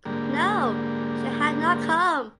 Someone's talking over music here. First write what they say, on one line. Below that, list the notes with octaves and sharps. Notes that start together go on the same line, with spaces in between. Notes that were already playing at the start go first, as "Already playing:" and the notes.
No; she had not come!
G#2 D3 G3 A#3